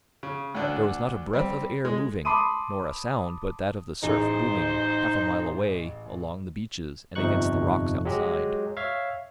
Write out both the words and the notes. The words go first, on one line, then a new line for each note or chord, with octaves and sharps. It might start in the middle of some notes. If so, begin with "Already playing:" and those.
There was not a breath of air moving, nor a sound but that of the surf booming half a mile away along the beaches and against the rocks outside.
C#3
D2 D3 D4
G3 C4
G#3
A5 B5 C6 D6 D#6 D#7
A1 E3 D#4 G#4 C5
G1 F2 C3 D#4 C#6 F#6
F#3 G#3 G4
C#5 E5 F5